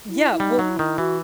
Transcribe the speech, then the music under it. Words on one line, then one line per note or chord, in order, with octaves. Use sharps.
Yeah, well
E4
E4
G3 D#4
F#3
E4
D#3
E3 F#4